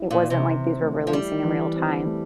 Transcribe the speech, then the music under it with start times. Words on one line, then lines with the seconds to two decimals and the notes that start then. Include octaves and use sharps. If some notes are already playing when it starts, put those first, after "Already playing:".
it wasn't like these were releasing in real time.
Already playing: E4
0.11 A#2
0.20 E3
0.30 C3
0.51 C4
0.82 A3
1.07 F3
1.13 G3 E4
1.44 E3
1.75 C4
2.05 A3